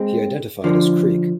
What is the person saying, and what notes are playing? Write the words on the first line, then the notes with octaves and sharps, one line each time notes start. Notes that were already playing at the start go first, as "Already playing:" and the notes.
He identified as Creek.
Already playing: G#3 C4
D3 F3